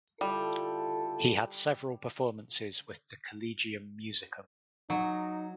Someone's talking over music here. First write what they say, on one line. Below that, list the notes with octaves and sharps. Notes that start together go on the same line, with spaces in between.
He had several performances with the Collegium musicum.
G3 E4 F4 A4
F#3 D#4